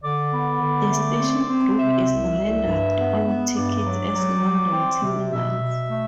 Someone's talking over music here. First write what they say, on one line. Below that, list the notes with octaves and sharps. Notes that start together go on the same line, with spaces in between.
The station group is rendered on tickets as "London Terminals".
D3 D5
B3
D3
A3
C4
C4
C3 E5
C2
C2
G2
B3
B3
G2 D5
F#3
F#3
F#3
C4
C3
B2 E5
B2
A3